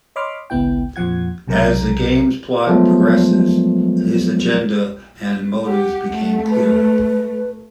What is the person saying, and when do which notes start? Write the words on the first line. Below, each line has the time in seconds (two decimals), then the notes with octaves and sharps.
As the game's plot progresses, his agenda and motives become clearer.
0.16 C#5 D#5 B5 C6 D6 F6
0.50 G#1 C#2 B3 E4 G5
0.96 F2 A#2 F3 F#5 G#6
1.47 B1 C3 F#3 A#4 A#5
2.67 F3 F#3 G#3 A3 B3
5.66 G4 F#5
6.11 A3
6.50 B4